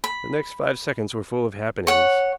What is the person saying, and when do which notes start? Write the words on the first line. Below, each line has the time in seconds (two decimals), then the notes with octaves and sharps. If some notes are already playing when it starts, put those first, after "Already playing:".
The next five seconds were full of happenings.
0.04 B5
1.87 C#5 F#5